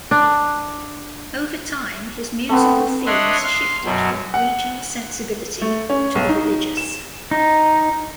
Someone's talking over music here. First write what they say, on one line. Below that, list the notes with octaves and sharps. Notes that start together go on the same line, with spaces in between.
Over time, his musical themes shifted from a regional sensibility to the religious.
D4
A3 B3 C4
D4 C#5 D#5 E5 F#5 C6
F5 C6
F#2 B2 F#3
F#5
A3
C#4
B1
D#4
E7
D#4